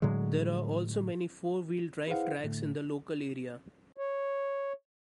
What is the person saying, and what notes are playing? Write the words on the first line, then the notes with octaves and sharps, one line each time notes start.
There are also many four wheel drive tracks in the local area.
A2 D3 F#3 G#3
E4 G#4 B4 C5 F5 F#5
A2 D3 A3
C#5